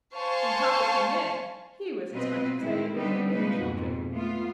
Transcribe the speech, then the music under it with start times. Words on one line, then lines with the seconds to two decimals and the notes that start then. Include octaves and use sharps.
When Papa came in, he was as much excited as any of the children.
0.15 C5 F5 G#5 A5 C#6
2.13 B2 F#3 C4 F4 B4 D#5
2.59 A2 D#3 G#3 C4 E4
2.94 D3 G3 C4 D#4 G4 B4
3.28 C3 F3 G#3 A#3 D#4 B4
3.58 F2 G#2 B2
4.11 A3 B3 F4